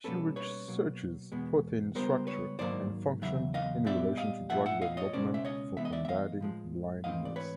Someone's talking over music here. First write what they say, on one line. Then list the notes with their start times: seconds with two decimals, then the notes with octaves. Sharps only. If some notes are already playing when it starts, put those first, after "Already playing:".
She researches protein structure and function in relation to drug development for combating blindness.
0.04 B2 G3 A#3 C#4 A4 B4
0.36 B4 C#5
0.68 B2 F#3 A#3
1.32 E2 B2 G#3 B3
1.95 C#2 B2 G3 B3 A#4 C5
2.27 B4 C#5
2.59 G#2 D#3 F#3 A#3 C5 D5
3.22 E2 C#3 F#3 E5
3.54 D#5 F5
3.86 A#2 G3 B3 D5 E5
4.17 D#5 F5
4.50 A#2 F3 A3 E5 F#5
4.66 E5 F#5
4.82 D#5 F5
4.97 C#5 D#5
5.13 C#2 B2 G#3 C#4 C5 D5
5.34 E5
5.45 C#5 D#5
5.77 C3 E3 G#3 B3 E5
5.85 D#5
5.92 D5 E5
6.05 E5
6.09 D#5 F5
6.41 A2 F3 G#3
7.04 G#2 E3 A3 C4 D#5 F5
7.25 D5
7.36 B4 C#5